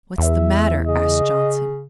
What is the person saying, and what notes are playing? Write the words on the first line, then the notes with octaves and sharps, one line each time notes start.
"What's the matter?" asked Johnson.
E2 E5
C#3 D#5